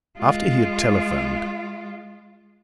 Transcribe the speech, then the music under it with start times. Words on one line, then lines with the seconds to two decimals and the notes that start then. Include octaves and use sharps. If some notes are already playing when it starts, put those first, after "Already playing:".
After he had telephoned.
0.18 G#3 F4